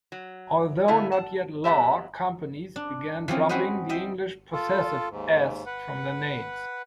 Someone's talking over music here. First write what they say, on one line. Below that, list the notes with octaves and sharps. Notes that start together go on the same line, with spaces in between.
Although not yet law, companies began dropping the English possessive "s" from their names.
F#3
D3 A3 B3 E4 G#4 F5
F#5 A5
F2 F#3 B3 G4 E5
D4
E3 F3 C4 C#4
C4 C#4 F#4 B4 C5 D#5
D#5 E5 G5
F4 A4
D#2 G#2
B4 F#5